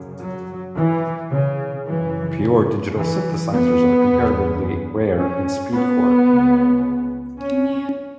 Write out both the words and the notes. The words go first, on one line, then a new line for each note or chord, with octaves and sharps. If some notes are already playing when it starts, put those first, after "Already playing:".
Pure digital synthesizers are comparatively rare in speedcore.
Already playing: F#2 C#3
F#3
E3
C#3
F#2 C#3 E3
C#3
E3
B3
E2 C#3
C#4
B3
C#2 C#3
C#4